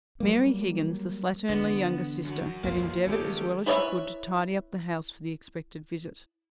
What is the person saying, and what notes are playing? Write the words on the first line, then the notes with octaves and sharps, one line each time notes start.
Mary Higgins, the slatternly younger sister, had endeavoured as well as she could to tidy up the house for the expected visit.
F#3 G3 A#3
D3 E3 B3
F#2 F#4
F2 A#2 E3 F#3 A#3 C4 F4
D#3 G#3 C#4 G4 A4
E4 B4 C#5 D5 E5